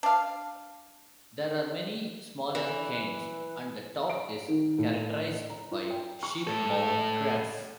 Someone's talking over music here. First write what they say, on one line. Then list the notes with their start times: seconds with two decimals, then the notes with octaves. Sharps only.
There are many smaller cairns and the top is characterised by sheep-mown grass.
0.03 D4 F5
2.55 E3
4.10 D7
4.48 D#3
4.78 A2
5.50 A#5
5.71 F4
5.91 G5
6.23 C#6
6.47 A2 A4